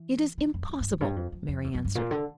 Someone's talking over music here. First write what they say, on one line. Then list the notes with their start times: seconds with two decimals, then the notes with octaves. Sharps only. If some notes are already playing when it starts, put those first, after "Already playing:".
"It is impossible," Mary answered.
Already playing: E3
0.38 D3
0.54 F2
0.69 F2
0.80 G2
0.90 E2
1.01 G2
1.16 F2
1.32 F2
1.48 F2
1.64 E2
1.74 F2
1.85 G2
1.95 A#2
2.11 D3